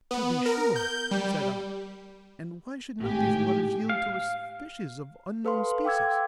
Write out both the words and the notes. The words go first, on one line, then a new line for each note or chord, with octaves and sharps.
"To be sure," said I; "and why should not these waters yield to us fishes of unknown species?"
B3
A#4
G6
G3
G#1 A2 G4 G#5
F5
A4 B4 F5 C6
F5 G5 D6 E6 G#6